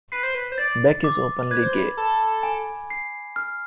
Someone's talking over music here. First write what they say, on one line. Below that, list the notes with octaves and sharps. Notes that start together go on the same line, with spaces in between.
Beck is openly gay.
B4 C7
C5
B4
C5
D5 A6
D6
B4 G#6
C5
B4
A4 B5
G#5
C7
F6